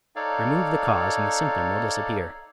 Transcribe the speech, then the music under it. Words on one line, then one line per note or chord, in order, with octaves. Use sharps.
Remove the cause and the symptom will disappear.
D#4 A4 C#5 D5 F5